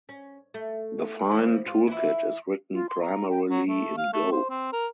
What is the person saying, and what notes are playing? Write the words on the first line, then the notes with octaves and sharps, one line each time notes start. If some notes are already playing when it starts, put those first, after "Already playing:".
The Fyne toolkit is written primarily in Go.
C#4
A3
E3 F3
F4
E3 E4
F4
C6
A#5
G5
F#3
A3
F5
A3
C5
C4
A#4